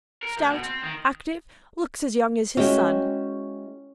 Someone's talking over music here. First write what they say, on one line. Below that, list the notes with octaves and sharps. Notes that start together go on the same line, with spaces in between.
Stout, active--looks as young as his son.
A#4
D2
B2
C4
D#3
G#3 C#4 E4 F#4 G5